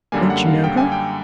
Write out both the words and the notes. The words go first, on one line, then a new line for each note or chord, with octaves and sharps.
"Don't you know her?"
F#2 D3 G3 A#3 G#5
F#5
F5
G5
G#5
G5